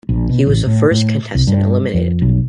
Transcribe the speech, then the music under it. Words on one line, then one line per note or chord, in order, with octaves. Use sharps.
He was the first contestant eliminated.
A#1
B2
A1
A2
A2
C2
G2
F2
B1